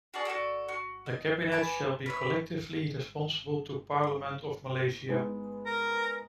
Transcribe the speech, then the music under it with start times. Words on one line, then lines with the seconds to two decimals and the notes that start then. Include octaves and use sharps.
The Cabinet shall be collectively responsible to Parliament of Malaysia.
0.14 F#4 G#4 D5 A5
0.25 F#4 G4 A4 D5
0.69 F#4
1.06 D#5
1.52 B4 G#5 A5 D6
2.06 B4 C#5 E5
5.09 G#3 B3 D#4
5.66 A#4